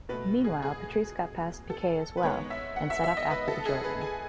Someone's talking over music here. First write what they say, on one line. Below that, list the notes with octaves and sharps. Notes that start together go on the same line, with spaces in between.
Meanwhile, Patrese got past Piquet as well and set off after the Jordan.
B2 A3 B4
G#4
G#4
A4
B4
D#3 G#3 B3 C#5
E5
F#5
E5
E5
D#5
B4
A4
G#4
B4
G#5